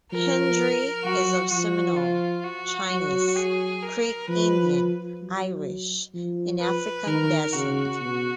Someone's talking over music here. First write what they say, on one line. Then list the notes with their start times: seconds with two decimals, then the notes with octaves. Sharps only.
Hendry is of Seminole, Chinese, Creek Indian, Irish and African descent.
0.12 F3 A#4
1.04 F#3 F#4
1.51 F3 F#4
1.97 F4
2.43 F#4
2.90 F#3
3.36 G#4
3.83 A#4
4.29 F3 B4
5.22 F#3
6.14 F3
6.61 B4
7.07 D#3 A#4
7.53 C#3 F#4
8.00 B2